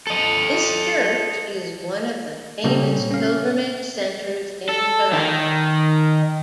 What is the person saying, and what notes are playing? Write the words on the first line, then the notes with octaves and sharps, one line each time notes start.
This church is one of the famous pilgrimage centers in Kerala.
A4 D#5
A#2 C#3 G3 C#4 G4 A4
C#4 F5
A4
D#3